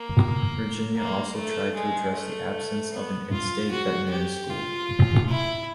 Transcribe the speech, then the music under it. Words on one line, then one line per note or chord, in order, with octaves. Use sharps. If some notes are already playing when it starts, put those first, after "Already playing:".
Virginia also tried to address the absence of an in-state veterinary school.
Already playing: A#3
A#3
A3
G#3
A3
B3
F4
F#4
G4
F4
E4